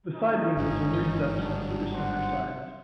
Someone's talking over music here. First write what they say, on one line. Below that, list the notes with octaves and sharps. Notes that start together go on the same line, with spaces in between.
The side windows were recessed from the superstructure sides.
C#4 D#4
G1 G#2
E3
F#3 G3 D4
C5 F#5